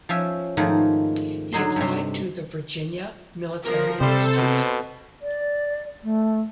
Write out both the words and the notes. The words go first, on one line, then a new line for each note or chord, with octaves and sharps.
He applied to the Virginia Military Institute.
F3 C#4 E5
G#2 D#3 F3 A3 F#5
D3 F#3 D#4 C6
G2 C3
F3 A#4
C3 G3 A4 C5
B2
D5
A3